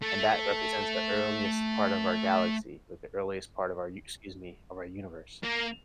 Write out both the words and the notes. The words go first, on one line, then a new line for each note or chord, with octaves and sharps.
and that represents the earliest part of our galaxy, like, the earliest part of our u excuse me, of our universe.
A3
A#3